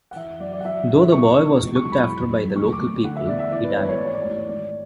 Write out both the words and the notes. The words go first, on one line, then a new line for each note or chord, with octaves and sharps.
Though the boy was looked after by the local people, he died.
F#5
E3 E5
F#2 D5
D5
F#5
F#3 E5
F#3
E2 C#6
E2
C#2
C#6
F#3
B5
E3
F#2
D2 C#6
D6
D2
D3 F#5
E5
E2 D5
E5
E3 D5
B4
G#1 C#5
C#5
A1 D5
C#5
D5
A1 C#5
G#1 D5